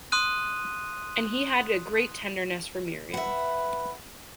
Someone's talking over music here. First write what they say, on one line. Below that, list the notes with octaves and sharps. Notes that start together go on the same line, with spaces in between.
And he had a great tenderness for Miriam.
C6 D#6 F#6 D#7
B4 E5 F#5